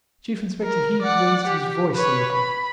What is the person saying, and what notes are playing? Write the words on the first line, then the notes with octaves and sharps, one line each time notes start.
Chief Inspector Heat raised his voice a little.
A#4
D5 F#5
G4
B4 C#5
B5